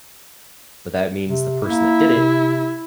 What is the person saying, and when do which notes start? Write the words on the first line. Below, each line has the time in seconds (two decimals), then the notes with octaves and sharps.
but that means the person that did it
1.28 C3
1.68 A#3 E4
2.15 C3